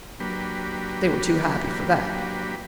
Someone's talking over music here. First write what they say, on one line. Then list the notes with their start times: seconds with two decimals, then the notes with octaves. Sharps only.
They were too happy for that.
0.20 F#3 A#3 D4 G4 B4